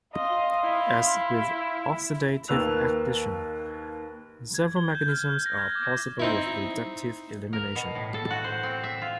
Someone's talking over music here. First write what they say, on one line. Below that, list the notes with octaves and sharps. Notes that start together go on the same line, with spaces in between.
As with oxidative addition, several mechanisms are possible with reductive elimination.
D#5 F5 C6
E4
D#2 A#3 B4 E6 F#6 F7
G#6
G7
G6
F6
F6
A#6
G#6
D6
C4 D#4 E4
A#4
B2
A2
A4
F#4
C5
C4
E5
F4